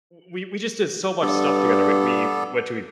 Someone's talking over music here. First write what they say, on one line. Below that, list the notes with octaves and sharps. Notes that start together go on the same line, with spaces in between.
w we we just did so much stuff together. We we went to, eh,
G2 B3 A4 D5